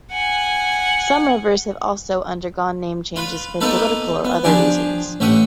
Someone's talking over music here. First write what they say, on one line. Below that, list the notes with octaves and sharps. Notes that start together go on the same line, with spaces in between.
Some rivers have also undergone name changes for political or other reasons.
F#5 G#5
F4 B4
A#3 B3 D#4 F4 A4 B4
B3
F3 D4 G4 G#4 D5
A1 A3 G4 F#5 D#6